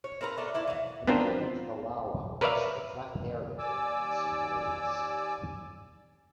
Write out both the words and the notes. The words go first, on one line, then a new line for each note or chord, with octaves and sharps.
The meaning of "Thalawa" is the flat area in Sinhalese.
C#5
C4 A#4 B4 A#5
A3 D4 A4
A3 E4 D5
E3 F#3
B3 C4 D4 F4 A#4 C5
A#4 B4 C#5 D5 E5 F5
D#2 D5 G#5 D6 E6